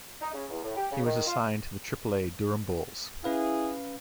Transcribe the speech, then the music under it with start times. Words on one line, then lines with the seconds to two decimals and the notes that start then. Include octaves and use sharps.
He was assigned to the Triple-A Durham Bulls.
0.21 D#4
0.33 C#3
0.49 E2
0.62 A2
0.75 G4
0.91 C#3
1.04 D#3
1.26 F4
3.24 C#4 E4 G#4 B4 F5